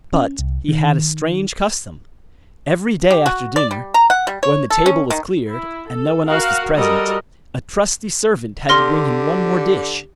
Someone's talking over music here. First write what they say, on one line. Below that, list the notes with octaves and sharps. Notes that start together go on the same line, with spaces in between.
But he had a strange custom; every day after dinner, when the table was cleared, and no one else was present, a trusty servant had to bring him one more dish.
C#4
C2
D#3
G4
F#4
D5
G3
A#5
F#5
G3
C#5
A4
C#4
D#3
E4
A4
F#4 A#4 F5 F#5
G3 F#4 A4 A#4 D#5
D3 G4 C6 F6 A#6